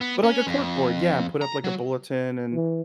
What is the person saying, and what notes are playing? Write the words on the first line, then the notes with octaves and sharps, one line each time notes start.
But, like, a corkboard, yeah, and put up, like, a bulletin and,
B3
C#4
F2
A#5
F#3
E3